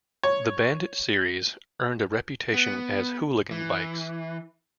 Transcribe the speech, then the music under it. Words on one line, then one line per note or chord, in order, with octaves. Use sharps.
The Bandit series earned a reputation as "hooligan bikes".
C#5
B3
E3